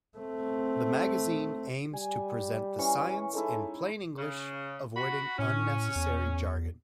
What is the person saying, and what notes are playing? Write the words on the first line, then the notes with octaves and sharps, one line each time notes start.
The magazine aims to present the science in plain English, avoiding unnecessary jargon.
A3 C4
G3 G#5
E3 C#4 C#6
G#3 D#4 E4 A4
C#3
F#4 B5
A2 C#4
E2